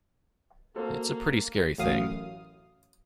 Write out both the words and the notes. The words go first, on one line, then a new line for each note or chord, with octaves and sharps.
It's a pretty scary thing.
A#3 F#4 A4 C5
A1 F#2 F5 D#6